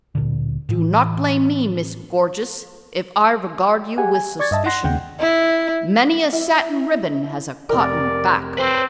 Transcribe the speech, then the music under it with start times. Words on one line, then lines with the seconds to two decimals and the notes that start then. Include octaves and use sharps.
"Do not blame me, Miss Gorgeous, if I regard you with suspicion. Many a satin ribbon has a cotton back."
0.15 D1 A#2 D3
0.69 A2 E3
3.98 G4 G#4 F#5 G#5
4.14 G#5
4.39 D5 C#6 G#6 A6
4.51 G2 D#5 E5 A5
4.66 F#5 C6 A#6
4.83 D#2 C#3 F#5 G5
5.20 E4
6.33 E4
7.69 F1 A#4 D5
8.58 C4 B4 C5